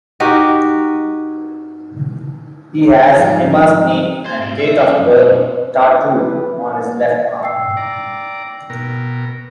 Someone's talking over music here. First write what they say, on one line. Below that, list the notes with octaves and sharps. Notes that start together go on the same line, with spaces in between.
He has Emma's name and date of birth tattooed on his left arm.
D#4 F#4 G4 A#4
G#2 F3 G3 D#4
C5
G#2 C3
E5
F3 C#4
F#2
B1 C#4
B4
G5 E6 C7
D5 A#5
B2 A#4